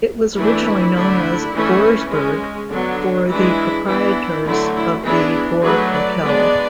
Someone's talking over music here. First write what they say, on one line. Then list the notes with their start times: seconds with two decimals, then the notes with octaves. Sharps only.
It was originally known as "Goresburgh" for the proprietors of the Gore Hotel.
0.36 E3 A3 D4 E4
0.94 D3 A3 D4
1.53 E3 A3 C#4
2.11 G#3 C#4
2.70 D3 F#3 B3 D4
3.28 E3 G#3 D4 E4
3.87 E3 B3 D4 E4
4.45 D3 F#3 A3 E4
4.75 E4
5.04 E3 B3 D4 E4 G#4
5.62 F#3 A3 D4 G#4 B4
5.91 B4 D5
6.21 G#3 B3 D4